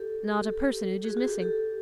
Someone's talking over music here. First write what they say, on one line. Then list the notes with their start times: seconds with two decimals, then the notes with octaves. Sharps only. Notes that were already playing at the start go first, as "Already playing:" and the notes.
Not a personage is missing.
Already playing: G4 A4
0.42 G4 A4
1.04 F#4 G#4
1.17 F#4 G#4
1.29 G4 A4
1.42 G4 A4